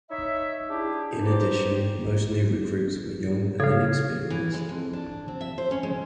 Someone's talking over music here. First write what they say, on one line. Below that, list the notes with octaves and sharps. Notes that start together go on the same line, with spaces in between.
In addition, most new recruits were young and inexperienced.
D#4 C#5 E5
D4 E4 G4 G#4
E2 D#4 G4 C5
C#3 A4 C#5 F5
E3
G#3
F2
D4
C4
E5
C5
C#4
G#3